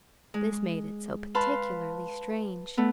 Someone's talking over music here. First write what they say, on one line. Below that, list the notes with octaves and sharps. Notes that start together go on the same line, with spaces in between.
This made it so particularly strange!
G#3
B4 F5 A5 B5 C6
A3 B3